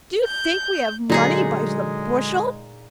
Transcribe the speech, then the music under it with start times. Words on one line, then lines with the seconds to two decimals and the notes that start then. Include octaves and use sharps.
'Do you think we have money by the bushel?'
0.25 G6
1.09 A#2 D3 F#3 G#3 D#4 G#4